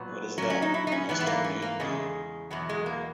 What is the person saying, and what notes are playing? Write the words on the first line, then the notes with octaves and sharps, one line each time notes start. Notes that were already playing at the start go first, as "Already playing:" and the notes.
What is that, nice to "meat" you?
Already playing: A#2 F#3 B3
A#2 F#3 C#4
C#4
D#4
E4
D#4
C#4
G#2 E3 B3
B3
A#3
C#4
A#3
E2 C#3 G#3
E2 B2 F#3
G#3
A#3